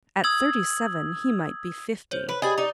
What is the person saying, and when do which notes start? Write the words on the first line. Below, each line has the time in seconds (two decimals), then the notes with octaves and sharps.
At thirty-seven he might be fifty.
0.24 D#6 E6 G#6 F#7
2.12 C5 C#5 G6
2.29 B4 B5
2.42 G4 G#4 D5 D#5 B5 A6
2.58 D#4 D5 D6